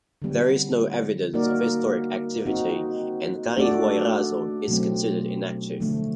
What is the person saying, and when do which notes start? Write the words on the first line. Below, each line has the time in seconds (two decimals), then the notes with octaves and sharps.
There is no evidence of historic activity and Carihuayrazo is considered inactive.
0.22 D3 G3 B3
1.34 A#3 D#4 F#4 A#4 D5
2.46 C4 D#4 F#4
3.57 A3 D4 F#4 A4 D5
4.68 B2 F#3 A3 C4
5.80 D3 F3 A3